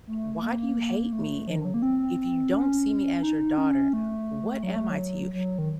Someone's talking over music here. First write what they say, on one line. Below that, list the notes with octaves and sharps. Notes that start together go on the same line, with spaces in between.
why do you hate me? And wh if you don't see me as your daughter, what am I to you?"
A3
A#3
A3
F3
D#3
F#3
A#3
C4
C#4
D#4
C#4
A3
F#3
A3
F#3
F#3
D#3